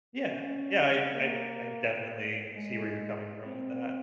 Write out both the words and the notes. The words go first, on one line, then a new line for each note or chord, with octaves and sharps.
Yeah. Yeah, I I I definitely see where you're coming from with that.
C#4
A#3
G#3
C4